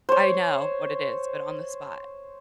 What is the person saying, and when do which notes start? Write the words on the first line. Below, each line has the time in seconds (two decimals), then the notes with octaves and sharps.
I know what it is, but on the spot,
0.09 C5 C#5